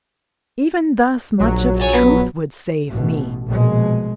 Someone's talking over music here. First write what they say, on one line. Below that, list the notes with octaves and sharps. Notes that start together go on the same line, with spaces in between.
Even thus much of truth would save me!
A#1 F#3
C#5 G#5 A5
B3
A1 B2
A#1 B2 G#3